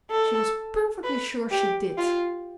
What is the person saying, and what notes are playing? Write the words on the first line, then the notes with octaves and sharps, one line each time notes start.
She was perfectly sure she did.
A4
B4
G4
F4